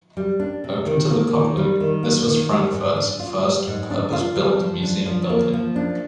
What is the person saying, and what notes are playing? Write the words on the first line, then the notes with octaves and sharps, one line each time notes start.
Open to the public, this was Frankfurt's first purpose-built museum building.
G3
D4
C3
D#3
A#3
D#3
G3
D#3
A#3
D#3
G3
G#2
D4
F4
G3
G#2
D4
F4
G3
F3
D4
F3
A#3
F3
D4